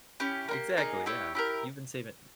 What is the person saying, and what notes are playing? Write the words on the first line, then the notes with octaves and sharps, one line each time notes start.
Exactly, yeah, you've been saving
C#4 E4 G4
A#3 D#4 G4
A#3 D#4 G#4
E4 G4 C#5
E4 G4 A#4